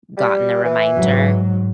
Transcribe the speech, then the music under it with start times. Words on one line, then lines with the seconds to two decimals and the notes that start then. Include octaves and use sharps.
gotten the reminder
0.18 G3
0.64 E3
0.95 G#2 F#3